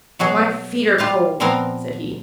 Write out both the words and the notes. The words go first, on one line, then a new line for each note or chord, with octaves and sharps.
"My feet are cold!" said he.
B2 F#3 F#4 G#4
G3 F4 F5 A5
A#2 F3 B3 C4 A#4 F5